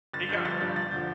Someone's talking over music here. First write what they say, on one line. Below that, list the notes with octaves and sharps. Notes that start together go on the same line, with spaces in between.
He got hurt.
G1 A6
G2 F3 G6
G1 A6
G2 F3 G6
E1 A6
D3 F3 G6